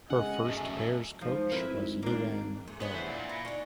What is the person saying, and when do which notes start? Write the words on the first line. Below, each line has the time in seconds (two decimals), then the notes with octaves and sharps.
Her first pairs coach was Luan Bo.
0.10 C#3 G#3 D#5 F#5 G#5
0.45 F#2 A3
1.21 G#2 F3
1.52 F2 E4 A#4 B4
1.70 G#1
2.03 A#3 D4
2.68 G#2 A3
2.80 A3 B3 D4 G#4 B4 C#5
2.94 E3 C5 D5 E5 F#5
3.08 A#2
3.29 F4 B5 A#6 C#7
3.45 D4 D#4 G#5 C#6